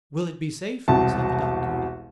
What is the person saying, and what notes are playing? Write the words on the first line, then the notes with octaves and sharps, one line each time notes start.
"Will it be safe?" said the doctor.
E1 C2 F#4 A5